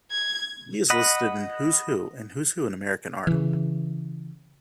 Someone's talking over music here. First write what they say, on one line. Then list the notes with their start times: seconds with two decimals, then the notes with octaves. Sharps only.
He is listed in "Who's Who" and "Who's Who in American Art".
0.11 G#6
0.90 D#5 F#5 B5
3.27 C#3 E3